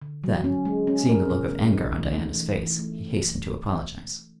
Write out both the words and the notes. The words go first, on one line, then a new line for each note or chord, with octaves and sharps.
Then, seeing the look of anger on Diana's face, he hastened to apologise.
D3
F#3
C#4
G#3
C#4
A#4
B2
G#3
D#4
E3
A3
E3
E3
A3